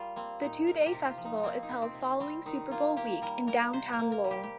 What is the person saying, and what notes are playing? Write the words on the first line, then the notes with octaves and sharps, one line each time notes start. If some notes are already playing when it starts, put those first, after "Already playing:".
The two-day festival is held following Super Bowl week in downtown Lowell.
Already playing: G3 F4 A#4
A#3 C4
A#2 D#4
C3 A#4
A#4
G4
C3
F4
F3
D#4
D#4
A#3 C4
D#4
C3
C4
C3
C4
G3 C4
D#3 D#4
A#3 F4
A#3 G4
G3 A#4
A#3 A#4
C3 C5
A#4
A#3
A#4
G3
G4
G4